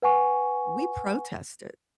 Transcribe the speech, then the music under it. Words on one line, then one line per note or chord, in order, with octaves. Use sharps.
we protested,
B4 F#5 G#5 C#6